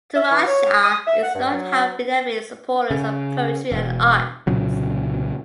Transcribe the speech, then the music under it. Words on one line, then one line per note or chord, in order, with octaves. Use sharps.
Turanshah is known to have been an avid supporters of poetry and arts.
E5
E3
C#5
D#6
E5
F#5
G2
F#3
C#3
E1
C2 A#2 C#3 F#3